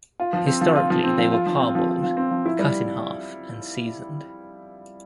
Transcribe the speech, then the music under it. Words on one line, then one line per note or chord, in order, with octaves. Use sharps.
Historically they were parboiled, cut in half, and seasoned.
F4
F3
C4
F3
F4
F3
C4
F3
F4
F3
C4
F3
F4
F3
C4
F3
E4
G3